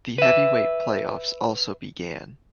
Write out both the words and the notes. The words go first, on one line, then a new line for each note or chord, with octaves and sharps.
The heavyweight playoffs also began.
B4 E5